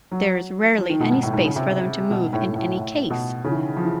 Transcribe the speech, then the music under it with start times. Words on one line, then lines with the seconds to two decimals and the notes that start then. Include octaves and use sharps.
There is rarely any space for them to move in any case.
0.11 F#3
0.78 F3
0.89 D#3
1.00 B2
1.12 G#2
1.23 A2
1.34 G#2
1.45 C#3
1.56 C3
2.11 B2
2.22 G#2
2.33 A2
2.45 A2
2.56 A2
2.77 A2
3.10 B2
3.45 C#3
3.51 E3
3.56 D#3
3.77 F3
3.85 E3